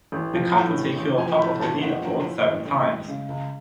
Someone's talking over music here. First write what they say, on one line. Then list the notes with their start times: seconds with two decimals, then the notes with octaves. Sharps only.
The couple secured top of the leaderboard seven times.
0.12 A1
0.34 F3
0.54 A2
0.75 A1
0.96 A1
1.17 F3 G#5
1.39 A2 B5
1.60 A1 A5
1.81 A1 F#5
2.02 F3
2.23 A2
2.44 A1
2.66 A1
2.87 G#3
3.08 C#3
3.29 C#2